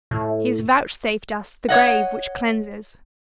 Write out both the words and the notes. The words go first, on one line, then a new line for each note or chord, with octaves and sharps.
He has vouchsafed us the grave which cleanses.
A2
C#5 D#5 F#5